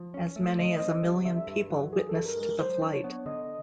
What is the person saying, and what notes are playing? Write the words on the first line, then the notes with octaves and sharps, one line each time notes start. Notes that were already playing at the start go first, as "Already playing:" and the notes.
As many as a million people witnessed the flight.
Already playing: F3
C#4
A3
D3 D#5
C4
G3
D3 E5
G2
F#3
E3 G#4
A4
G2
A#4
G#3
A#4
F#3 C5
D4
C#5
B3
D3 D#5